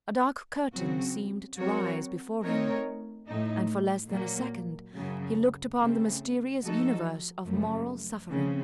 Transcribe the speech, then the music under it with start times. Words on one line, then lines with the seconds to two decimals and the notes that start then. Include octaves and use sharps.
A dark curtain seemed to rise before him, and for less than a second he looked upon the mysterious universe of moral suffering.
0.74 C#3 F#3 C4 F#4
1.58 F#3 C4 F#4 A#4 C#5
2.42 A3 C4 D#4 A#4 C#5
3.26 A2 A3 D#4
4.10 A#2 F#3 A#3
4.95 F#2 C#3 F#3
5.79 C#3 A3 C4
6.63 F3 A3 D#4 F#4 A4
7.47 F#2 C#3 F3 A3
8.31 C#3 F3 A3 C4